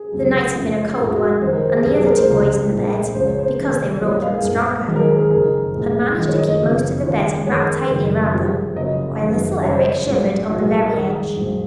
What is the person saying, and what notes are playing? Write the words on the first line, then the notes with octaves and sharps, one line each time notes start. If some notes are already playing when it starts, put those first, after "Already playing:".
The night had been a cold one, and the other two boys in the bed, because they were older and stronger, had managed to keep most of the bedding wrapped tightly around them, while little Eric shivered on the very edge.
Already playing: G#4
C#2 C3 F#3
F2 C#3 F3
A#1 A#2 G#3 G#4
G#4
F#4
F2 C3 D#3 G#3 C5
A#4
C5
G#4
C2 C3 F#3 G#4
G#4
A#4
C5
C#2 C3 F3 G#3
A#1 A#2 G#3
C#2 C#3 G#3 C5
C#5
C5
F1 D#2 C#3
A#1 A#2 F3 C#5
D#5
F5
G#4
A#1 A#2 G#3 A#4
G#1 G#2 D#3 F#3 G#4
A#4
G#4
A#4
G#4
F#1 F2 D#3 A#4
C2 A#2 G#3
G#1 F#2 D#3 G#3
C#5
D#5
D#5
F#1 F2 C#3 F3
D#2 C#3 F3 G#3
F2 D#3 G#3 C#5
F#1 F#2 D#3
F2 C3 F3 G#3
F#1 F#2 C#3 F#3 D#5
G#1 F#2 D#3 G#3
F2 C#3 F3 C#5
C5
C#5
A#1 G#2 F#3
C2 A#2 F#3 F#4
G#4
G#4
G#4
A#4
F2 D#3 G#3 G#4
A#1 G#2 F#3